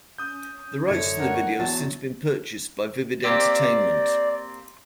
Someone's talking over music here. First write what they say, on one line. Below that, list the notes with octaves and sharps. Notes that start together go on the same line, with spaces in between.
The rights to the video has since been purchased by Vivid Entertainment.
C#4 D#6 G6
F#2 D3 C#5
D4 A#4 F#5
E2 F#3 A5
A#3 C4 G4 D5